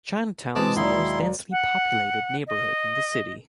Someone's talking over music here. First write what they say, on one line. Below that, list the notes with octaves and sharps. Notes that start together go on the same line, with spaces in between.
Chinatown is the most densely populated neighborhood in the city.
B2 E3 G#3 C4 A5 D6
D#2 F#3 E4 D5 A#5 C6
F#5
D#5